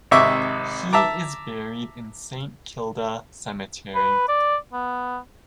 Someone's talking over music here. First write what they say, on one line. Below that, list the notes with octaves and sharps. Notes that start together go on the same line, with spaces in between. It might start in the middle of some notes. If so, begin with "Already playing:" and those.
He is buried in Saint Kilda Cemetery.
G#1 C3 D#5 E5 C#6 D6
E5 A5 A#5 D6
B4
D5
B3